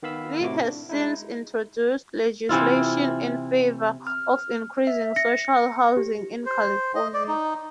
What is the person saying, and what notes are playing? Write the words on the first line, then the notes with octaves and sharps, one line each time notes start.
Lee has since introduced legislation in favor of increasing social housing in California.
D#3 B3 F5 B5 E6
A2 C3 E4 F#4 D6
D4
G#3 D#4 E4
C3 E3 E4 F4
F6
E5
A#6 C#7
G4
C5
D#5
D5
D#4